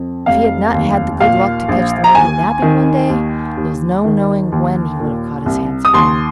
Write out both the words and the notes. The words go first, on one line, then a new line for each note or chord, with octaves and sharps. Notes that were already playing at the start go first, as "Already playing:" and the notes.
If he had not had the good luck to catch the monkey napping one day there is no knowing when he would have got his hands upon him.
Already playing: F2
F1 F5
D#2
A#2 F5
A#1
A#5
D#2 G#5
D#3
D#2
D#2
D#3
D#2
A#2
C2
D#6
D#2 C6